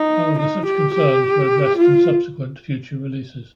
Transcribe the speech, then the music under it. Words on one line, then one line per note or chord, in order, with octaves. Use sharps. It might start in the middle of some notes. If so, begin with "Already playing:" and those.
However, such concerns were addressed in subsequent future releases.
Already playing: D#4
D#4
G4
G4
F4